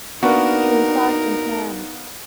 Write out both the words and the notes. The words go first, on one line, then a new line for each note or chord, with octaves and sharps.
She resides in Perm.
A#3 B3 D4 D#4 F#4 A#4